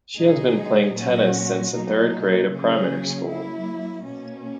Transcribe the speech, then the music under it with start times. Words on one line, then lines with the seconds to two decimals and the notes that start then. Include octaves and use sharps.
She has been playing tennis since the third grade of primary school.
0.17 B2 G#3 D#4 G#4
0.96 A#2 F#3 C#4 F#4
1.73 B2 F#3 A#3 D#4
2.50 C#3 F#3 A#3 C#4 G#4
3.28 F#3 A#3 E4
4.05 B2 A#3 C#4